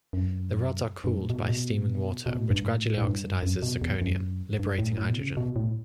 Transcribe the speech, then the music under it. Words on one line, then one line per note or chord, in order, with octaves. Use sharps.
The rods are cooled by streaming water which gradually oxidizes zirconium, liberating hydrogen.
F#2
G2
F#2
A2
B2
A2
B2
A2
B2
B2
A2
G2
A2
A2
G2
F#2
B2
E2
F#2
G2
A2
A2
B2
C#3
B2
A2